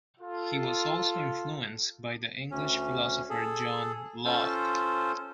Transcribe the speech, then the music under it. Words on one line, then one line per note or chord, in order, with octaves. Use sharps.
He was also influenced by the English philosopher John Locke.
F4 A4
D2 C#4
G#4 A4
C#4 F4 A4 C5